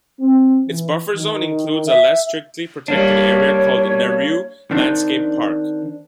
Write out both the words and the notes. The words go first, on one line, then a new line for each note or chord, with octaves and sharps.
Its buffer zone includes a less strictly protected area called Narew Landscape Park.
C4
E3
D#3
E5
G3 A#3 D4 C#5
D#3 C4 D4